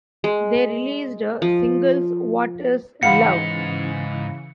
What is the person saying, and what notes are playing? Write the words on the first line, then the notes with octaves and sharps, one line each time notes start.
They released singles What Is Love?
G#3
F3
G#2 C#3 E3 F5 F#5 B5 C#7